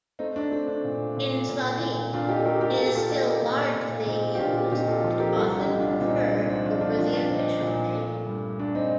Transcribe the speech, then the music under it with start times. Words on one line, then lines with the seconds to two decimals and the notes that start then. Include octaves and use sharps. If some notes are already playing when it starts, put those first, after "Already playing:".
In Slovene it is still largely used and often preferred over the official name.
0.19 A3 C4 D#4
0.36 D4
0.51 A3 C4
0.68 D4
0.84 A#2
1.17 A#2
1.48 A#2
1.80 A#2
2.13 A#2 D4 F4
2.29 D#4 G4
2.39 A4
2.45 A3 G4 A#4
2.61 G4 A#4
2.78 A#2 A4
2.86 G4
2.95 F4 A4
3.10 A#3 D#4 G4
3.43 A#2
3.75 A#2
4.06 A#2 C4 D#4
4.35 G4
4.39 A#2 D4 F4
4.71 A#2 D#4 G4
4.88 F4 A4
5.03 F3 F4 A4
5.19 G4 A#4
5.36 C2 F4 A4
5.57 D#4 G4
5.69 C2
5.79 D4 F4
6.01 A#2 C4 D#4
6.17 D4
6.33 C2 C4 D#4
6.49 C4 D#4
6.65 F3 D4 F4
6.81 D4 F4
6.97 F3 D4 F4
7.13 D4 F4
7.29 A#2 C4 D#4
7.62 A#2
7.94 A3
8.26 G2
8.59 A3 D4
8.75 C4 D#4